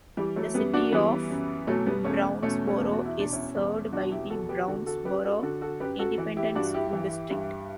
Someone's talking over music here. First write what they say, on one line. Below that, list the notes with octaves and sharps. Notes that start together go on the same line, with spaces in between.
The City of Brownsboro is served by the Brownsboro Independent School District.
E3 G3
F#3 A3
F#2 G3 B3
D4 F#4
E3 G3 B3
F#2
B2 F#3 A3
G3 B3
E2 A3 C#4
B2 A3 C#4
A3 C#4
E2
F#4
E4
B2 D4
C#4 E4
E2
B2 D4 F#4
E4 G4
E2 F#4 A4
G4 B4
D3 F#4 A4
F#4 A4
F#2 G4 B4
F#4 A4
D3 F#4 A4
F#4 A4
F#2 G4 B4
F#4 A4
E3
E4 G4
G2 D4 F#4
E4 G4
E3
G2